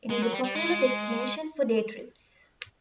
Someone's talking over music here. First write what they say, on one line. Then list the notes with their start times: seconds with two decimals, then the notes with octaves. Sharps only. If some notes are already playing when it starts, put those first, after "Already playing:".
It is a popular destination for day trips.
0.10 G#3
0.22 F#3
0.33 G3
0.44 G3
0.55 G#3